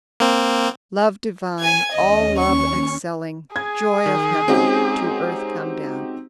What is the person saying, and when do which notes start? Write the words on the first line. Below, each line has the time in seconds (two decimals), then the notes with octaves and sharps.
"Love divine, all love excelling; Joy of heaven, to earth come down."
0.20 A#3 C4
1.59 G#5 G#6
1.93 D#2 C#4 D#5
2.39 C#6
3.56 G#4 G#6
4.06 D#3
4.48 G#3 C4 C#4 D#4 F#4 G4